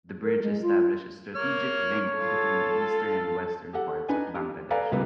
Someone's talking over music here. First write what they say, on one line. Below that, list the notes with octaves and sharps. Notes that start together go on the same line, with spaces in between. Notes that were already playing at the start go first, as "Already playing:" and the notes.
The bridge established a strategic link between the eastern and western parts of Bangladesh.
A#4
G#3
F4
A#3 C#5 F6
F4 A4
G4 A4 F#5
D4 D#4 B4 D5 G#5
G4
A4 B4 D5 F5 G#5 A#5
F1 C#2 G3 A#3 B3 B4